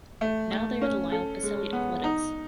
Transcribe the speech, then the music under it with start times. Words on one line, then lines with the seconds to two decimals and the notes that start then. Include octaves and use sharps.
Now they are the Lyle-Pacelli Athletics.
0.21 A3
0.51 A3
0.82 C#4
1.12 A4
1.43 G#3
1.73 B3
2.04 D#4